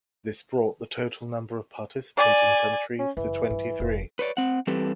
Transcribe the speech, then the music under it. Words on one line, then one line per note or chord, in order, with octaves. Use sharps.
This brought the total number of participating countries to twenty-three.
D5 G#5
C#4
F#1 E3
G2
F1 A#3
B4 C#5 D5
C4 F#5
E3 G3 C4 G4 A4 B4